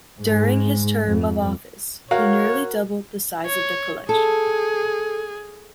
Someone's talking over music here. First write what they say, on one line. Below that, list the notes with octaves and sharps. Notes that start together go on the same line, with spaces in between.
During his term of office he nearly doubled the size of the collection.
G#2 G#3
F2
F#4 A#4 C#5 F5
C#5
G#4 A4